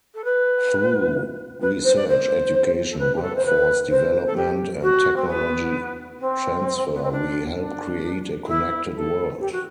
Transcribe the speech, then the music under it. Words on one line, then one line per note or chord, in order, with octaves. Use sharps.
Through research, education, workforce development and technology transfer, we help create a connected world.
A4
B4
B4
C5
D5
C5
A4
B4
G4
A4
C5
B4
C5
A4
G4
F#4
C4
B3
C4
B3
C4
D4
D4
D4
E4
A4
G4
F#4